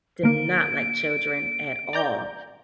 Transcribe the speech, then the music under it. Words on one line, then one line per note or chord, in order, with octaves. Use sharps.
did not like children at all.
D3 A#3 D7
D5 A#5 G6